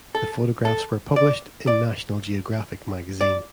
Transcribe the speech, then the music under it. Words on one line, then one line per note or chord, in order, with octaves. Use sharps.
The photographs were published in "National Geographic" magazine.
A4
A4
D5
D5
D5